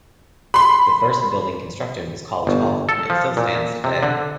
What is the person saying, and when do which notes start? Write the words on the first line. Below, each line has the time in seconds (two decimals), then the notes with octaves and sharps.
The first building constructed was College Hall, and it still stands today.
0.54 B5 C6
2.47 G1
2.89 A4
3.10 F3
3.37 A#2
3.84 C3
4.03 D3